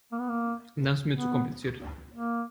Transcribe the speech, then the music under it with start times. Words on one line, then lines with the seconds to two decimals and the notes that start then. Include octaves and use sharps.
Das ist mir zu kompliziert.
0.12 A#3
0.20 B3
0.29 A#3
1.13 B3
2.13 A#3